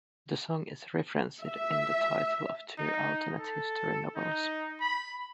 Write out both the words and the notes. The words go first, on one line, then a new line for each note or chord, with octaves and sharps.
The song is referenced in the title of two alternate history novels.
E5
D#4
A4
D#4
B5